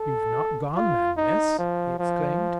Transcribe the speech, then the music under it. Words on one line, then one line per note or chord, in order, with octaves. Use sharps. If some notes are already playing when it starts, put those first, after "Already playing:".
"You've not gone, then, miss?" he exclaimed.
Already playing: A4
F4
D#4
F3
F3